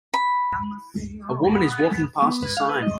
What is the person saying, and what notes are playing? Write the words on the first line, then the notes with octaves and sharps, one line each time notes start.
A woman is walking past a sign.
B5
B3
B4
F5
B4
D#5